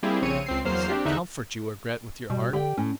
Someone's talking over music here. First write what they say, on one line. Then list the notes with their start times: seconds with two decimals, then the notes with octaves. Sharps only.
It's not comfort you regret, with your heart!
0.03 G3 A#3 C4 E4 G4 G#4
0.22 A#1 C#3 C4 C#5 C#7 D#7
0.46 C#2 C4 C7
0.64 E2 F#3 A#3 C5 F6 C7
0.89 C4 D4 G4
1.05 E2 D3 D#4 E5 F#6
2.30 B2 G3
2.53 D3 G4 D5 G5
2.78 A2 C#4